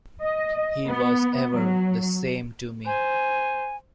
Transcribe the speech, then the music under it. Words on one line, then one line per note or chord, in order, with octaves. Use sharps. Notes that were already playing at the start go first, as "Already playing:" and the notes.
He was ever the same to me.
D#5
B3
F#3
C5 G#5